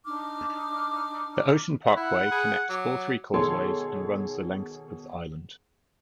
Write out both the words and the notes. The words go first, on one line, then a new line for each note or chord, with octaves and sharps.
The Ocean Parkway connects all three causeways and runs the length of the island.
D4 D#4 D6 F6
E4 F#5 B5
G#4 B5
F#3 D6
B2 D#3 G#4 A4 C#5 C6